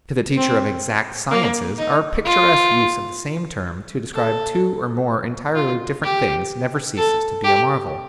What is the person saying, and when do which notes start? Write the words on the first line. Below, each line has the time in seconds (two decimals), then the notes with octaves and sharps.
To the teacher of exact sciences our picturesque use of the same term to describe two or more entirely different things never ceases to be a marvel....
0.36 C4
1.31 A#3
1.78 D#4
2.25 F4
4.13 A4
5.55 F4
6.03 G4
6.97 A4
7.44 G4